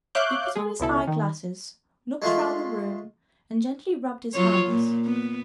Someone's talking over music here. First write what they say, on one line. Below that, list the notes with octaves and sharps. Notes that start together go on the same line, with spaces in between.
He put on his eye-glasses, looked round the room, and gently rubbed his hands.
C#5 E5 F5 D6 F#6 G6
G#3 G#4
C#2 B2 E4 A4
D#3
G#3 A3 F4
F#3 F4 C#5
A#2
B3